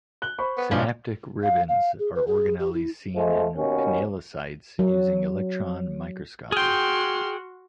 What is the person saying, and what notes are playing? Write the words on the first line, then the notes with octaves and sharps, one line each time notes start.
Synaptic ribbons are organelles seen in pinealocytes using electron microscopy.
F#6 G7
C5 B5 C#6
B3
B1 E3 F3 C#4 D4
F5
F5
G#4
B4
G#4
G4
E4
F3 G#3 A3
D#2 B2 C#4
F#3
F#4 G#4 G5 C6 F6